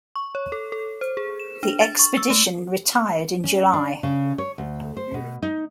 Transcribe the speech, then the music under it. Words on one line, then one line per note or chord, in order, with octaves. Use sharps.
The expedition retired in July.
C#6
C#5
A4
A4
C5
G#4
E7
D4
A6
C#6
E6
A3
C#4
D4
C#3
C#5
D2
C5
B2
D#4